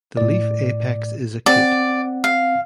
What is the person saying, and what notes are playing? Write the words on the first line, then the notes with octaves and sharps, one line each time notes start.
The leaf apex is acute.
A2 D5
C4 D5 F#5
F5